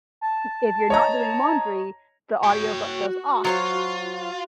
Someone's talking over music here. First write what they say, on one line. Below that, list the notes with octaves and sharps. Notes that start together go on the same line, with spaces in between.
i if you're not doing laundry, the audiobook goes off,"
A5
C#5 D#5 A#5
F#4 C#5 G5
F#3 F4 C5 C#5